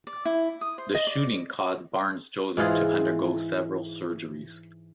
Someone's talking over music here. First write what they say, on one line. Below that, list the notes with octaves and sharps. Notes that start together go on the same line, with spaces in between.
The shooting caused Barnes-Joseph to undergo several surgeries.
D5
E4
D#6
C5
D#5
D5
G#2 E3 F4 G#4